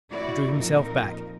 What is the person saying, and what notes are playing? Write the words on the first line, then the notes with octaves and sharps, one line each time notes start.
Drew himself back.
E4 F#4 D5
F2 A#2 D#4 A#4